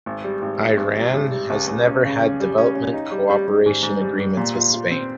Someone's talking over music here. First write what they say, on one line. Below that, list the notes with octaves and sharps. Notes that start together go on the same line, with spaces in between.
Iran has never had development cooperation agreements with Spain.
G#1
G3
G#1
G#1
G#1
G3
G#1
G3
C#2
C#2
C#4
C#3
C#4
G3
C#4
C#4
D#4
G3
G3
G3
G#2
G#2
G3
G3
A#2
F4
F4
C4